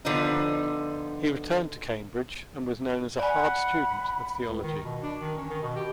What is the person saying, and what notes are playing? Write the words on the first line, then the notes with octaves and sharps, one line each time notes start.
He returned to Cambridge, and was known as a 'hard student' of theology.
D3 F3 B3 D#4
D5 F#5 G#5 B5
C#2
D#3
B2
D4
D#3
C#4
D#3
B2
G4